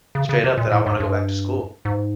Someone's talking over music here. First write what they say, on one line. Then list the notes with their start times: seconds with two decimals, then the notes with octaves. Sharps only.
straight up that I wanna go back to school,
0.15 C#3
0.29 C#3
0.44 C3
0.57 A#2
0.72 A2
0.86 G#2
1.00 G2
1.85 G#2